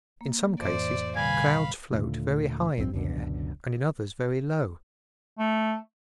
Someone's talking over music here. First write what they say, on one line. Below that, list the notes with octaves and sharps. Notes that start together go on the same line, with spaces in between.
In some cases clouds float very high in the air and in others very low.
A#3
F2 A2 E3 C5 D5
B2 D3 G3 F5 G#5 B5
D#2 A#2 D3 A3
A#1 F2 C#3 C4
C#2 F#2 B2 D3
A3